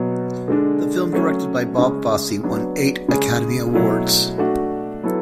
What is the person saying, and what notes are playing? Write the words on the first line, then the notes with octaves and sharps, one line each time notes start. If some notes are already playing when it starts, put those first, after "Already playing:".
The film, directed by Bob Fosse, won eight Academy Awards.
Already playing: B2 F#3 B3
D3 G#3 D4
F#3 A3 C#4
C#3 G#3 C#4 G#4
F#3 B3 D4
C#3 G#3 C#4 G#4
B2 F#3 A3 E4
A3 D4 F#4
F#3 B3 E4 A4